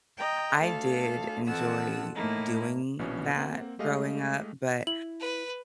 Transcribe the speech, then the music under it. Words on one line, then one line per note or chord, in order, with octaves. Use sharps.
I did enjoy doing that growing up, but
D#5 G5 A#5
D2 A4 F5
F2 E3 F#5 A5 E6
A2 A3 A#3 D#4 E4
A#1 B2 E3 B3 C#4 C#5
A#3 C4 F#5
G#3 A3 G4 D#5 F5
E4 F#7
B4